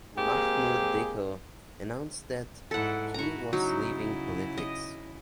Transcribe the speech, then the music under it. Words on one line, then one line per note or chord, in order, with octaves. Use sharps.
Mahmoud Dicko announced that he was leaving politics.
G#3 A#3 C4 G4 G#4
G#2 E4 A4 F#5
E4 F#4 A#5 C#6
C#3 F#3 D#4 E4
D#5